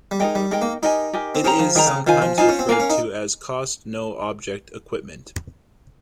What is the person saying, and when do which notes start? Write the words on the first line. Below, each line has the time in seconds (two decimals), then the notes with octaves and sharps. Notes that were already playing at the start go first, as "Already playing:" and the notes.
It is sometimes referred to as cost-no-object equipment.
0.11 G3
0.20 G#3 D#4 A#4 D#5 G5
0.35 G3
0.51 G#3 D#4 A#4 D#5 G5
0.62 A#3
0.82 D#4 G4 A#4 D#5 G#5
1.13 G4 A#4 D#5 G#5
1.35 C4
1.44 C#4 G#4 C5 G5 A#5
1.59 F3
1.75 D#3 G#4 C5 G5 A#5
1.87 C#3
2.07 D#3 F4 C5 F5 G#5
2.22 F3
2.38 D#4 F4 C5 F5 G#5
2.49 C#4
2.59 C4
2.69 A#3 A#4 F5 G#5
2.80 C#4
2.90 D#4